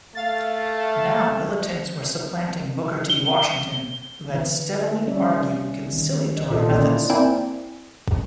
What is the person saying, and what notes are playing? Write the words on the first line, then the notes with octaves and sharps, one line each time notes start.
Now militants were supplanting Booker T. Washington, who had "steadily argued conciliatory methods".
A3 F5 A6
G7
D3 E3
G3 C#4 D5 E5
D#3
D4 D#5
A#2 F4 A4 D#5
D3 A#3 C#4 D#4 E4 D5
A#3 C4 E4 D5 G5 G#5